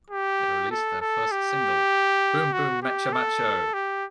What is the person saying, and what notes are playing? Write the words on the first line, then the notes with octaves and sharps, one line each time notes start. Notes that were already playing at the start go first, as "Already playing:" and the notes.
They released their first single, Boom Boom Meccha Maccho!
G4
A4
A4
G4
F#4
G4
A4
G4